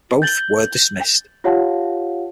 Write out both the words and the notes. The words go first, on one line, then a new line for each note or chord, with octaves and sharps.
Both were dismissed.
G6 A6 F#7 G7
F4 G4 C#5 F5 F#5 A5